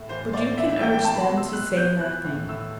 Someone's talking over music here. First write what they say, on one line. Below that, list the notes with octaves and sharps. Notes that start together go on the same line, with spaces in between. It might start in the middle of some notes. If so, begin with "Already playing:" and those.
'But you can urge them to say nothing.
Already playing: A2
E3 C5
A2 D5
E3 E5
E5
E3 G5
G5
B2 A5
B5
C6
B2
E6
B2 F#6
B2 G6
E3 F#6
A2
A2 E6